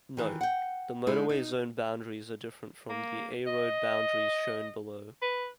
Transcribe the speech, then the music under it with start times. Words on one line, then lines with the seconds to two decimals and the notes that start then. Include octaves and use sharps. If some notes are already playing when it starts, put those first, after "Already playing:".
Note: The motorway zone boundaries are different from the A-road boundaries shown below.
0.17 D#3 E3
0.41 F#5 G5
1.07 G#3 D#4 E4 G#4
1.29 D#4
2.89 A#3
3.47 D#5
5.22 B4